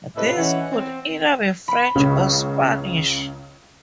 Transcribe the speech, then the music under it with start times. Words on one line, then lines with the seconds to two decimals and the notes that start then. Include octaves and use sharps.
These could either be French or Spanish.
0.16 A2 C3 B4 D#5 E5
0.37 E3 C#4 E4 D#5 F#5
0.72 C4
1.68 B5
1.95 C#2 C#3